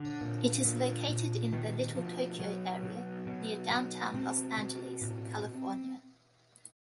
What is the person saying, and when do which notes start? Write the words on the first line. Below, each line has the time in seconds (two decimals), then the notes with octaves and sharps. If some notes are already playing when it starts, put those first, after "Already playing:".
It is located in the Little Tokyo area near downtown Los Angeles, California.
Already playing: D3
0.21 A#2
0.65 A#2
1.09 A#2
1.52 B2 D#3
1.96 B2 F3
2.39 B2 F#3
2.83 B2
3.27 B2
3.71 B2
4.14 B2 C4
4.58 B2
5.02 A2